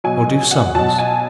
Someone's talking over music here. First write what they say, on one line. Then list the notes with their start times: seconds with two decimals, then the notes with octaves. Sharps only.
"Nor do sums?"
0.04 B2 F#3 G#5
0.51 F#5
0.75 B2 F#3 A5
0.99 G#5